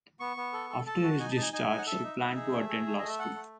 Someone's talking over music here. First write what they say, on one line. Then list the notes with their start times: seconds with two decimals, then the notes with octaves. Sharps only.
After his discharge he planned to attend law school.
0.20 B3 C#6
0.37 B3
0.53 A4
0.70 A4
0.86 A4 A5
1.03 F#4
1.19 D#4 G#5
1.31 A5
1.36 D#4
1.42 G#5
1.53 D#4 G#5
1.70 D#4
1.78 F#5
1.86 A4 E5
2.03 D#4
2.20 D#4
2.36 G#4
2.52 A3
2.69 G#4
2.86 A3
2.98 A3 D#5
3.09 E5
3.19 A4 F#5
3.36 A3